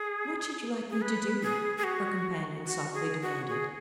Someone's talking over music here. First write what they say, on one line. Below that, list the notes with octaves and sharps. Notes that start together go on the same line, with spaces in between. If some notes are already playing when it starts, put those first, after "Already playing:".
"What should you like me to do?" her companion softly demanded.
Already playing: G#4
G#4
B4
G#4
G#4
F#4
F#4
G#4
F#4
G#4